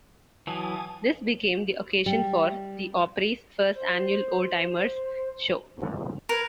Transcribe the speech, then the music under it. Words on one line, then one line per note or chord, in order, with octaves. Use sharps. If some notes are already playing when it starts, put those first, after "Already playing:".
This became the occasion for the Opry's first annual Old Timers' Show.
E3 F#3 G#5 A5 D#6
G3
C5
A#4 B4 G#6